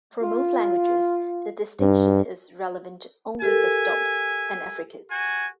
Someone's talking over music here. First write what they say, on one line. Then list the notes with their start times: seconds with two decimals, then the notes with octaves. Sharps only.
For most languages, the distinction is relevant only for stops and affricates.
0.21 F4
1.80 G2
3.42 G4 A4 A#4 E5 G#5
5.10 F#4 G#5